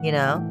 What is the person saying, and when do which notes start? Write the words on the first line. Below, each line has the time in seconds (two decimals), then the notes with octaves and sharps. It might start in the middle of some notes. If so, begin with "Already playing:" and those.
you know?
Already playing: A2 E3 F#5
0.27 A2 E3 G5